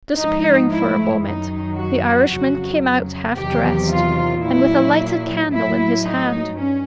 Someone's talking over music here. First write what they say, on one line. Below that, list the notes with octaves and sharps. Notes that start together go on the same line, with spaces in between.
Disappearing for a moment, the Irishman came out half dressed and with a lighted candle in his hand.
G#2 F3 D#4
E4
F#2 D#3 F#3 D#4
F#4
F2 C#3 F#3 F#4
E2 C3 D#3 F#3 G4
F4
A#2 F#3 E4
A2 F#3 E4
D#4
G2 C#4